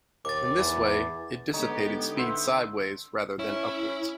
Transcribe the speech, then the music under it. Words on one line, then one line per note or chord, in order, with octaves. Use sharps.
In this way it dissipated speed sideways rather than upwards.
D#2 D6 A6
E2
D3 G#3 B3 D#4 G4 C#5
B4 C5 E5 F#5
C#4 E4